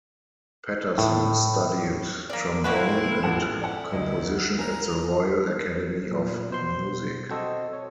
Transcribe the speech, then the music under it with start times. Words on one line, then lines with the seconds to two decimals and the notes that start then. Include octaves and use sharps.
Patterson studied trombone and composition at the Royal Academy of Music.
0.98 A2
2.30 A#3 D5
2.64 A2 C#3 A3 C4 E4 F#4 B4
3.23 A1 F3 G#3 A3 F#5 E7
3.61 E4 D5 F#5
3.93 D2 D#5
4.58 A#4 G#5 A#5
6.11 A#2
6.50 B2 C5 C6
7.30 C4 F#4 A4 C5 D#5
7.73 C#5